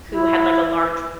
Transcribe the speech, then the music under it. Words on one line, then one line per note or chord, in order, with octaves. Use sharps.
who had, like, a large,
E4